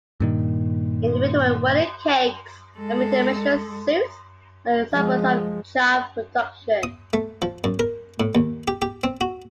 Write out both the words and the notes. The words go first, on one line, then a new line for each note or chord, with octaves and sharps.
Individual wedding cakes and made-to-measure suits are examples of job production.
G2 A#2 D#3
G#3 A4
F3 G#3
D#6
A3
F3
F#2
A#4
A2
D#2
G4
G4
C4
F#4